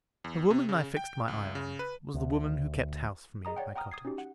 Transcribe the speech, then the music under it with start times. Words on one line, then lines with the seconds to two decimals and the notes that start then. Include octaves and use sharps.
The woman I fixed my eye on, was the woman who kept house for me at my cottage.
0.24 E2
0.50 C3
0.69 C#3
0.97 G5
1.28 C#2
1.55 C#3
1.79 B4
2.14 D2
3.45 G#4 D#5 A#5 D#6
3.56 C#5 D5 F#5 G5
3.76 F#5 G5 A#5 D#6 F6
3.91 D#6 G#6 C7
4.05 C#4 D#4 F#4 G4
4.18 F#5